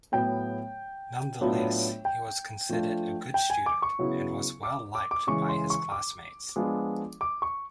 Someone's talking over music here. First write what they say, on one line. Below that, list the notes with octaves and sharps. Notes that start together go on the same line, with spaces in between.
Nonetheless, he was considered a good student and was well liked by his classmates.
A2 F#3 B3 G5
A2 F#3 B3 D4 F4
G5
F3 A3 D4 F4
G5
G#5
D6
C#6
C#3 F#3 B3 E4
D6
D6
D6
C#3 E3 G#3 C#6
C6
C#6
D6
F3 G#3 B3 D4 F4
D6
C#6